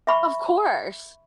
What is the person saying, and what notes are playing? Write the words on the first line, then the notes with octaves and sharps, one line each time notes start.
Of course.
E5 B5 C#6